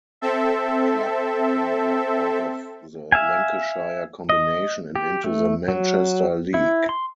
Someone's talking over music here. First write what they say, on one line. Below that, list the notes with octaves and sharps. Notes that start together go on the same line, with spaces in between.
The club then dropped out of the Lancashire Combination and into the Manchester League.
C4 A4 E5
E5 F5 G#5
D#5
G4
A3
F#3
E4
C6